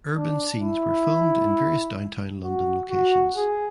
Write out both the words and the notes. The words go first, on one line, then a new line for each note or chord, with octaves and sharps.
Urban scenes were filmed in various downtown London locations.
D4
E4
F#4
F#4
G#4